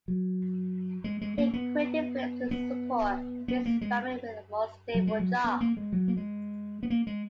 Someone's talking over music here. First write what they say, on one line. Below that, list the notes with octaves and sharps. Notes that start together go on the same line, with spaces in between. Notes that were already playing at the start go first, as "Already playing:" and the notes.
He quit In Flames to support his family with a more stable job.
F#3
G#3
G#3
A#3
B3
B3
B3
A#3
G#3
F#3
G#3
F#3
B3
A#3
G#3
F#3
A#3
G#3
B3
A#3
G#3